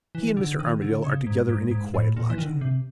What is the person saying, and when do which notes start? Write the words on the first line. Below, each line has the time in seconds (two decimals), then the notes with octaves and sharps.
He and Mr. Armadale are together in a quiet lodging.
0.15 E3
0.37 D3
0.59 D#3
0.82 D3
1.04 C#3
1.27 G#2
1.49 G#2
1.71 G#2
1.94 A2
2.17 A#2
2.30 E3
2.38 D#3
2.45 D3
2.54 C#3
2.61 C3